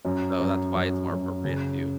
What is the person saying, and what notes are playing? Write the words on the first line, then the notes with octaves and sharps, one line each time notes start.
So, that's why it's more appropriate to
F#2
F#2
F#2
F#2
C#3